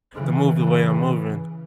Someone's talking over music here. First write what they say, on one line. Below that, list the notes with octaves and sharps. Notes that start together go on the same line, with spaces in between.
to move the way I'm moving
C#3 E3